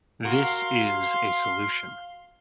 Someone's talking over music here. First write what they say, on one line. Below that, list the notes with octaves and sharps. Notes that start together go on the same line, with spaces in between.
This is a solution.
F#4 A#4 F5 C6